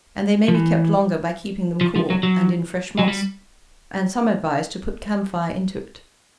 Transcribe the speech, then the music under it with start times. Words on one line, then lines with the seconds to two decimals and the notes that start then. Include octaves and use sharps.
And they may be kept longer by keeping them cool, and in fresh moss; and some advise to put camphire into it.
0.48 F3
0.54 E3
1.81 F3
1.96 F3
2.10 F#3
2.23 F#3
2.99 F#3
3.08 G3